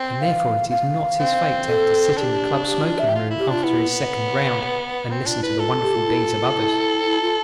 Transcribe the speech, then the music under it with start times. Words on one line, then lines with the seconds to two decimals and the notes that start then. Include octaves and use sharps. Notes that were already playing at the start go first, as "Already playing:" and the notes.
And therefore it is not his fate to have to sit in the club smoking- room after his second round and listen to the wonderful deeds of others.
Already playing: C4
0.21 F5
0.70 F5
1.20 C4
1.68 A4
2.17 D4 G4 A4
2.66 G4
2.82 F4
2.98 E5
3.09 G4
3.15 F4
3.30 E4
3.39 G4
3.48 D4 F4
3.63 B3 E4
5.10 C4
5.26 D4 F4
5.42 E4 B4
5.59 F4 A4
5.83 G4
5.95 F4
6.08 E4
6.24 F4
6.40 F4
6.56 E4
7.05 E4
7.21 F4